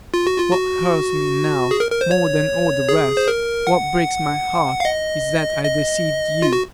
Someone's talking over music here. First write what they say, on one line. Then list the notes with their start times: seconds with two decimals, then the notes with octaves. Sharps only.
What hurts me now more than all the rest, what breaks my heart, is that I deceived you.
0.14 F4
0.27 F#4
0.38 F4
0.53 F#4
1.71 G#4
1.80 A#4
1.91 A#4
2.01 C5
2.11 C#5
2.89 G#4
3.17 C5
3.28 A#4
3.67 F#5
4.80 F5
4.85 D#5
5.64 D#5
6.42 F4
6.53 F#4